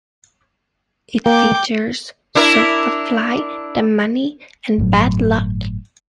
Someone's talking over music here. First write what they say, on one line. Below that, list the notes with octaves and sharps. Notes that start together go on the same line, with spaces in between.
It features Soopafly, Damani and Bad Lucc.
A#3 G5 D6
D4 E4 A#4
G1 A2 C#3 F#3